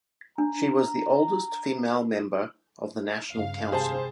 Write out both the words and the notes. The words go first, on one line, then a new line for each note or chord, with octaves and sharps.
She was the oldest female member of the National Council.
D4 A#5
G2 C#3 F5
G#1 C3 G3 G#4 C5 A5